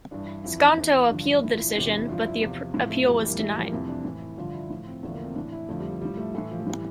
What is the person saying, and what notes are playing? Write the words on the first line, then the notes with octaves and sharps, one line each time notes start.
Skonto appealed the decision, but the appeal was denied.
G2 E3 D4
E4
F2 E3 E4
D4
E2 E3
G2 D3 F3 D4
D4
A2 E3 E4
F4
E4
D4
E2 C3 E3 C4
D4
E4
G2 F3 F4
E4
E2 C3 F3
A2 F3 C4
A3
F2 E3 G3
G3
A#3
A2 E3 A3
G3
F3
A#3
F2 C3 E3 C4
D4
A2 E3
E4
G2 D3 F3 F4
E4
A2 F3
C4
E2 D3 F3 A3
A#3
C4
A2 E3 D4
E4
F2 D3 F3 A3
G3
A3
A2 F3 G3
A3
A2 E3 A3
F3
A3
A2 E3 G3